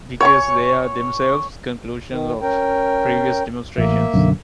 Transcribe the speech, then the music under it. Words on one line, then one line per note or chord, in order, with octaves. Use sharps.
Because they are themselves conclusions of previous demonstrations.
C#5 G#5 C#6
D#3
C#4 A#4 G5
A1 A#3 E5
B1 F#2 D3